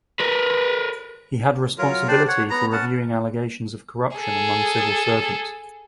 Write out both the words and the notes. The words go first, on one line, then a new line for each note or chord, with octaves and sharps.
He had responsibility for reviewing allegations of corruption among civil servants.
A#4 B4
F#3 F4 A#4
D4 G4 C5 D5
C#5 F#5
B3 A#5
C#4 F#5 A5
G#4 A4